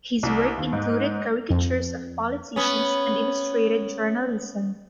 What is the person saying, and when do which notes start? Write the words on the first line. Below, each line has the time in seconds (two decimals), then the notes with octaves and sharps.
His work included caricatures of politicians and illustrated journalism.
0.23 C2
0.57 D#2
0.73 G#2
1.50 F2
2.56 B3 C#4